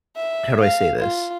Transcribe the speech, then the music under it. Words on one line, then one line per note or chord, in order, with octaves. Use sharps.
how do I say this?
E5
F5
F4